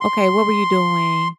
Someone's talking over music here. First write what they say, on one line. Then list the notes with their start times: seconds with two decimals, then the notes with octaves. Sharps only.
"Okay. What were you doing?
0.01 C6